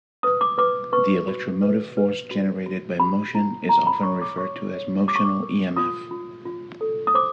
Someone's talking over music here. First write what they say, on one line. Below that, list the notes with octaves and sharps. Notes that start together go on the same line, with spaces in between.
The electromotive force generated by motion is often referred to as "motional emf".
B4 D#6
D6
B4 D6
B4 C#6
F#4
B4
B4
F#4
F#4
G4 B5
E4
G4 A#5
B5
C#5 C#6
D6
C#5 C#6
C#5
G4 D6
C#6
D6
A#4
F4 D#6
F4
F4
A4
D#6
C5 D6